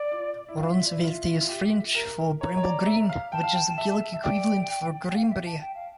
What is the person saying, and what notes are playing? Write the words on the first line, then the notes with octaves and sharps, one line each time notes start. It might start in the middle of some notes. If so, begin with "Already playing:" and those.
"Ronceverte" is French for "Bramble Green", which is the Gallic equivalent for "Greenbrier".
Already playing: D5
F4
E4
F4 F5
E5
D5
E4
F4 E5
F4
G4
A#4
C#5 A#5
C#5
D5
E5
F5
G5 A5
F5
G5
E5
E5
D5 G5
G5
F5
E5
A5
G5
F5